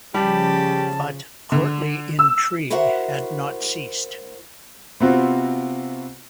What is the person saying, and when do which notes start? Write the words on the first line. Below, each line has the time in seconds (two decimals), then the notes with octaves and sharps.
But courtly intrigue had not ceased.
0.14 C#3 F3 G3 G4 A5
1.52 D3
2.19 E6
2.70 E4 F#4 A#4 C5 E5 F#5
5.00 C3 B3 C4 F4 F#4